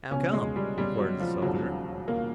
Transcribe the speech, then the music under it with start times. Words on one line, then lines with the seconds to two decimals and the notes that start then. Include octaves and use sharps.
"How come?" inquired the Southerner.
0.11 C#2 B2 C#4
0.33 G#3
0.56 G3
0.78 G3
0.98 F#3
1.20 F3
1.42 E1 D#2 C#3 F3 F#3
2.08 A#3